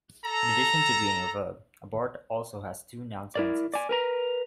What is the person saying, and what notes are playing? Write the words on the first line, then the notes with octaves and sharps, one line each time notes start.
In addition to being a verb, abort also has two noun senses.
A4 A#5
E4 A#4 D5
D5 G#5
A#4 B4 A#5